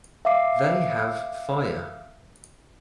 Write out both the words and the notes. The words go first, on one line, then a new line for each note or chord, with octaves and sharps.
They have fire.
E5 F5 D6 C7